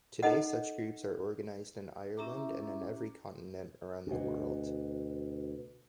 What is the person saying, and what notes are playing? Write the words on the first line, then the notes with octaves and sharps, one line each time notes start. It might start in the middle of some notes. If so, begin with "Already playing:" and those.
Today such groups are organised in Ireland and in every continent around the world.
D#4 A4 D#5 F#5
C#4 E4 G4 E5 A#5 D6
D2 B2